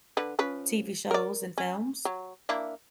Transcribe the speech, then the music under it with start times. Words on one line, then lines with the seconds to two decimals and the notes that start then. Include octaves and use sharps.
TV shows and films.
0.17 D3 B4
0.39 F3 C#4 B4
1.11 A#4 D5
1.58 C#4
2.05 F#3
2.49 A#3 D4 E4